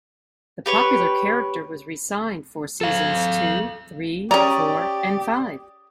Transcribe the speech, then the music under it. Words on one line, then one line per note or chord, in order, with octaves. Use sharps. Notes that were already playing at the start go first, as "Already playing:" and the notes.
The popular character was re-signed for seasons two, three, four and five.
G4 B4 C#5
A4 F5
C#4 G4 G#4 D5 A#5